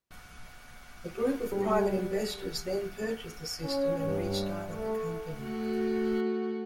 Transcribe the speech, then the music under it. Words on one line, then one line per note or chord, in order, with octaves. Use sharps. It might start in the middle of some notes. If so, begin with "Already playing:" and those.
A group of private investors then purchased the system and restarted the company.
G3
C#4
G2
A3
A3 F#4